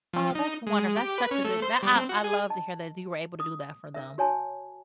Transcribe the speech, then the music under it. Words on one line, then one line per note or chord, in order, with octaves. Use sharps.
Oh, that's wonder that's such a good that I I love to hear that you were able to do that for them.
F3
D#4
G#3
G4
B4
C#4
A3
C5
G3
C4
F#4
G#4
D#5 A5
D#6
A#4 E5
F#4 C#5 G#5 A5